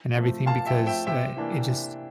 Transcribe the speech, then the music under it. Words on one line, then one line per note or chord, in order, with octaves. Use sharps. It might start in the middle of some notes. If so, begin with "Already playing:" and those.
and everything because, uh, it just
F3 A3 C4
A#2 F5 A5
E5 G5
F3 A3 C4
E5 G5
C3 E5 G5
E3 A#3 D4
C3